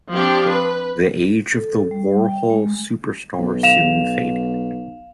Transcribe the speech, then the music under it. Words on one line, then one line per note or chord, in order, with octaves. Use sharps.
The age of the Warhol superstar soon faded.
F3 C4 D4 G4
B4
A4
G3
G5
G#3
B1
F5 E7 F7